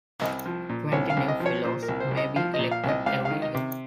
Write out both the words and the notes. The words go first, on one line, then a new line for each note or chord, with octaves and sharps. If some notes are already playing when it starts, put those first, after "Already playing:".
Twenty new Fellows may be elected every year.
C2 D#5
F3
A#2
C2 C#5
F5
C2
D#5
F3
C#5
A#2 C5
A#4
C2
C5
C2
D#5
F3 F5
D#5
A#2
F5
C2 D#5
C#2 F5
F5
D#3
D#5
C3